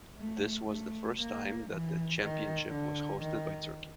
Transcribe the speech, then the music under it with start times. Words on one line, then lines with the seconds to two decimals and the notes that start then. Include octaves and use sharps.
This was the first time that the championship was hosted by Turkey.
0.18 A3
0.68 A3
1.19 A#3
1.70 E3
2.21 D#3
2.71 D3
3.21 D#3